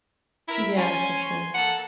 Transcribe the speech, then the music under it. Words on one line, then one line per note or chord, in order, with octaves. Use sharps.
Yeah, for sure.
E4 A#4 E5
C#4 G#5 C6
A#3 A4 F#5